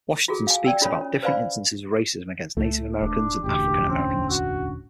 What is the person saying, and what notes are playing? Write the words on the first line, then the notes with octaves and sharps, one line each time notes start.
Washington speaks about different instances of racism against Native Americans and African Americans.
F4 F#4 G#4 A4
F5 G#5
D5 G5 E6
C#4 F4 A4 C#5 B5
C#4
B4 C5 D5 F5 G#5 B5
C#2 A3
D#1 D4
E1 A1 D2 G4
C4 C#4
F#4